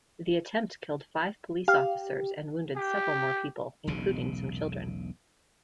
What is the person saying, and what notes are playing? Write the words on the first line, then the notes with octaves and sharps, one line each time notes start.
The attempt killed five police officers and wounded several more people, including some children.
G4 F5
G4
E1 B1 C#3